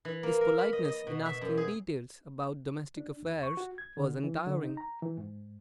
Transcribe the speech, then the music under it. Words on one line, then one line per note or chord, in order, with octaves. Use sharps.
His politeness in asking details about domestic affairs was untiring.
E3
A#3
A#4
B5
D#5
D#5
B2
E5
F#2
G#4
D4
D#2
C#6
F#4
G#6
D3
E3
D3
D#4
A#5
E3
G#2